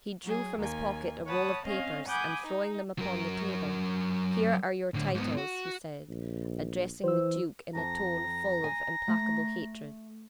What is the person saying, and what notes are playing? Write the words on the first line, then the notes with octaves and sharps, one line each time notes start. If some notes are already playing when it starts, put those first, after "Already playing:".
He drew from his pocket a roll of papers, and throwing them upon the table: "Here are your titles," he said, addressing the duke in a tone full of implacable hatred.
F#3 G#4
D#2 A#3 G#5
C#5 F#5 A5 B5 D#6
C4 C#4 C#5 D#5 F5
F#5 G#5 B5 D6 D#6 G6
D#4
F#3 A#4
A2 D3
G#2 B3
F#4
A#1
E3 C5 E6
F2 A5 A#5
G#5
A3